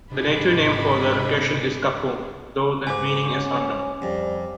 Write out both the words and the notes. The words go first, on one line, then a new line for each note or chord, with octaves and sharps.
The native name for the location is Cappoong, though the meaning is unknown.
G#1 C3 D4 G#4 D#5 B5
G#2 G#5 D6
C#4
F2 G3